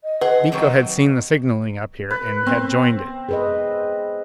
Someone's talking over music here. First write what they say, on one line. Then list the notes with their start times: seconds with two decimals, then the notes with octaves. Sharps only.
Miko had seen the signaling up here and had joined it!
0.03 D#5
0.21 G#4 B4 F#5
0.52 C3 D#3 F#3
2.11 B4
2.47 B3 C4
3.29 G#4 B4 D#5